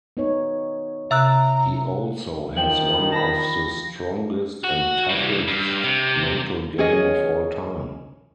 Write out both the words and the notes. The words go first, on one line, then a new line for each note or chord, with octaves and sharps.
He also has one of the strongest and toughest mental game of all time.
B3 D#4 C#5
C3 E5 A#5 E6 F#6
D#3 F3 G5 F#7
A5 B5 A#6
F#4 F#5
E3 G3
G2
C3
C#4 G#4 C#5 D#5